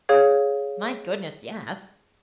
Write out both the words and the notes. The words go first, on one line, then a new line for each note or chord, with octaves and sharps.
"My goodness, yes!"
G#4 C#5 F5 G#6